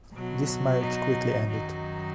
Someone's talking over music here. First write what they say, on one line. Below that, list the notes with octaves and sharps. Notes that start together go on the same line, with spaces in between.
This marriage quickly ended.
B2 F#3
D#4
F#2 D#3 F#3 D#4